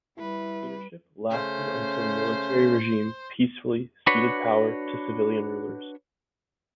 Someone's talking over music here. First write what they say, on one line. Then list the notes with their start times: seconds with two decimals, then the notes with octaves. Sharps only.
The dictatorship lasted until the military regime peacefully ceded power to civilian rulers.
0.18 G3 E4 B4
1.30 C#3 A3 C#4 C5
4.07 D4 F#4 B4 C#5